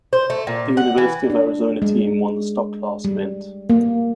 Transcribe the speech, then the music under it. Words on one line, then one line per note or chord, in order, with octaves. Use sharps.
The University of Arizona team won the Stock Class event.
C5
A3
A#2
F#5
E3
D4
G#3
G3
A#3